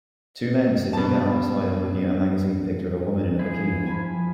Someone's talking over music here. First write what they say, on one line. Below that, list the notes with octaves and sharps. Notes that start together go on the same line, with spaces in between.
Two men sitting down outside and looking at a magazine picture of a woman in a bikini.
B2 A5
F3 E4 G#4
F3 G#5 A5 B5